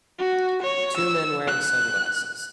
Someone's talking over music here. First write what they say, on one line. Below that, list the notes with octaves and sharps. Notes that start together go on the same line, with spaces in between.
Two men wearing sunglasses.
F#4
C#5
E6
F#6